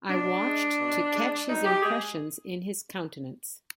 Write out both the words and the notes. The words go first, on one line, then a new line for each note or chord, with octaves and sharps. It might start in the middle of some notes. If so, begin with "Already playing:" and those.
I watched to catch his impressions in his countenance.
B2 D4
G#3
B2
G#3
B2 D#4
G4
G#3 G#4